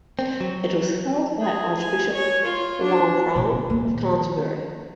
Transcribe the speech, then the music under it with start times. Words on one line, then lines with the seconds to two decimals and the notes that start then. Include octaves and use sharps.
It was held by Archbishop Lanfranc of Canterbury.
0.19 C4
0.41 F#3
1.41 G#4
1.79 G#5
2.13 C#5
2.45 F4
2.82 D4
3.35 A#2 D#3
3.70 D#3 A#3